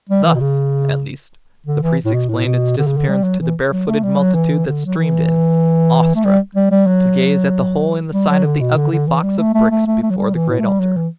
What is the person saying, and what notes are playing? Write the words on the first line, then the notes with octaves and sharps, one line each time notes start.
Thus, at least, the priests explained its disappearance to the barefooted multitude that streamed in, awestruck, to gaze at the hole in the side of the ugly box of bricks before the great altar.
G3
E3
B2
C#3
D3
E3
A2
B2
A2
B2
D3
C#3
D3
G3
F#3
E3
F#3
A3
G3
F#3
E3
D3
F#3
E3
A3
G3
G3
G3
F#3
G3
F#3
D3
B2
D3
D3
E3
G3
A3
A3
A3
A3
A3
F#3
G3
E3
A2
A3
G3
F#3
E3